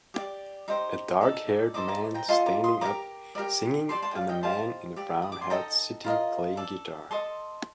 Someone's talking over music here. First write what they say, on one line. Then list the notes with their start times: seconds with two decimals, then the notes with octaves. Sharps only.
A darkhaired man standing up singing and a man in a brown hat sitting playing guitar.
0.14 G4 D5
0.68 D#4 G4 C5
1.21 D#4 A4 D5
1.74 A4 C5 D#5 A#5 D6
1.88 A#5 D6
2.14 G5 A#5
2.28 F4 A4 D#5 A5 C6
2.46 A#5 D6
2.64 C6 D#6
2.81 G4 A#4 D5 A#5 D6
3.35 G4 A#4 D5
3.89 G4 D5 A5 C6
4.02 A5 C6
4.11 G5
4.15 F5 A5
4.29 D#5 G5
4.43 D#4 G4 C5 F5 A5
4.96 G4 D5
5.22 D#6
5.32 D6
5.41 C6
5.50 D#4 A4 D#5 G5 A#5
6.04 F4 A#4 D#5
6.57 A4 D5
7.11 A4 D#5 A5 C6